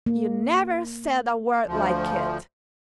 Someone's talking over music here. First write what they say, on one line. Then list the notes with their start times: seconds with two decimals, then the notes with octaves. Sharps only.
'You never said a word like it!'
0.06 A#3
1.67 D2 F3